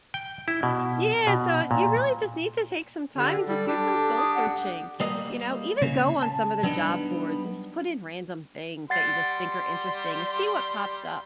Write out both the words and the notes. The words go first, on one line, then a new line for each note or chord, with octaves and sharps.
yeah, so you really just need to take some time and just do some soul searching. You know? Even go on some of the job boards, and just put in random things that you just think are interesting. See what pops up.
G5
E4
B2
B2
A#2
D3 G4
G3 A4
D4 G4
D#6
F#5
G3 A#3 D#5
C#3 A#3 C#4
A5
F#3 G3 B3 C4 D4 D#4
G3 F#5 C6 A6 C7